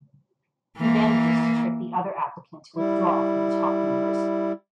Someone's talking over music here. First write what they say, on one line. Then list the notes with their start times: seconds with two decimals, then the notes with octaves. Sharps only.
He manages to trick the other applicant to withdraw from the top University.
0.78 E3 A#3
2.76 G3 E4